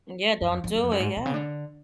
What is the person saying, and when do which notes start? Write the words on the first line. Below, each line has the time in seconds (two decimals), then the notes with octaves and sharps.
Yeah, don't do it. Yeah.
0.41 F#2
0.52 F2
0.64 F2
0.75 F#2
0.83 F2
0.92 F#2
1.00 G#2
1.17 B2
1.26 C#3
1.34 D3